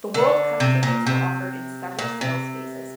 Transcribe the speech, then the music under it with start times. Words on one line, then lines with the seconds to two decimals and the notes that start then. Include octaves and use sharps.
The World Cup tickets were offered in several sales phases.
0.14 D3
0.60 C3
0.83 A#2
1.06 C3
1.99 A#2
2.21 C3